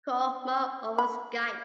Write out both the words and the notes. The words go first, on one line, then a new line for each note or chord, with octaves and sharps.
Call Marc over Skype.
B5